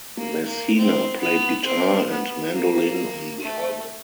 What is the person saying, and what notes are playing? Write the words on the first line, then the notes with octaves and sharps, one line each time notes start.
Messina played guitar and mandolin on the album.
A#3
A#3
C4
B3
C4
B3
A#3
A3